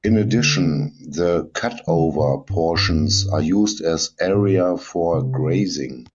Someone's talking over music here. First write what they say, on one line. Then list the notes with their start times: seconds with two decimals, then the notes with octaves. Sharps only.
In addition, the cutover portions are used as area for grazing.
0.07 G2
0.18 A2
0.28 C3
0.39 D3
1.87 E3
1.97 D3
2.19 A2
2.23 C3
2.50 G2
2.76 G2
2.89 E2
3.01 G2
4.34 A2
5.14 C3